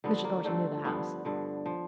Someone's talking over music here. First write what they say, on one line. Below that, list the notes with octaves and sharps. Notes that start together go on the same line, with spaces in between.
Mr. Thornton knew the house.
G2 D3 F3 B3
A#3
G2 D3 F3 A3
G2 D3 F3 B3
G2 D3 F3
F3